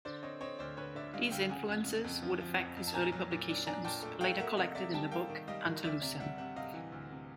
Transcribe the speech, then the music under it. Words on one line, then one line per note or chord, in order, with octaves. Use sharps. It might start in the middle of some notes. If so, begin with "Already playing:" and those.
These influences would affect his early publications, later collected in the book "Ante Lucem".
D3 C5 D5
C4 C#5 D#5
C4 C#5 D#5
D2 C5 D5
D3 B4 C#5
D3 D5 E5
G3 D#5 F5
D2 F5 G5
C#3 F#5 G#5
F2
C#3
F2
F3
F3
F2
F2
A5
A#2 G#5 A#5
F#3
A#2
D4
D4 G#5 A#5
A#2 G5 A5
A3
A3 F5 G5
A#3 E5 F#5
C3 D#5 F5
C3 D5 E5
G3 G5 A5
A#3 F5 G5
D#3
G3 D#5 F5
D#3
D2 D5 E5
C3 D5 E5
G3 E5 F#5
C3 E5 F#5
C3 D#5 F5
E3
D2
C3